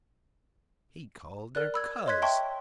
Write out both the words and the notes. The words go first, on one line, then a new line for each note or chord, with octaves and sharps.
He called her Coz!
A#4 D5 F#6
B5 E6 G#6
C#5 D#5 C6 F#6 G#6 B6
E5 G5 A5 C6 C#6